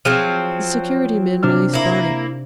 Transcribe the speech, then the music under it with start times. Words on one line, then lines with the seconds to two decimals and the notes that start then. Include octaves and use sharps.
The security men released Barney.
0.05 F3 F#3 C4 G#4 F5
1.43 C3 D4 F6
1.74 A#3 E4